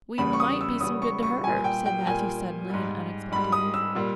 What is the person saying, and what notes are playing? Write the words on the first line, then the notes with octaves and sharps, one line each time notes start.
"We might be some good to her," said Matthew suddenly and unexpectedly.
E2 C#3 G3 B5
C#6
D#6
E6
E2 C#3 G3 D#6
C#6
C#6
A#2 G3 G#5
G5
G5
A#2 G3 G#5
G#2 G3
G#2 G3 B5
D#6
E6
A#2 G3